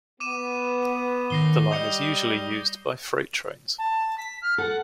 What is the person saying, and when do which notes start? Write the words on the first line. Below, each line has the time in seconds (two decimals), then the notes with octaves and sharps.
The line is usually used by freight trains.
0.20 B3 D6 D#7 E7
1.30 G#2 D#3 A#6 C7 G7
1.71 G3 D#5 D#6 G6 C#7
3.78 A5
4.18 B6
4.42 F6
4.58 A4 F#5